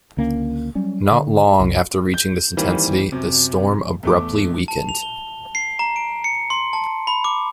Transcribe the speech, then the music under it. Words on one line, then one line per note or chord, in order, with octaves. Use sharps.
Not long after reaching this intensity, the storm abruptly weakened.
C#2 D3 A#3 C#4
F#3 G3 C#4
D3
C2 F#2
G6
D#3 E3 G3 A#3 C4
F#2 C3
E2 A3 D6
A5
F7
G7
C7
A#5
D7
C#7
C6
A5
B5
D6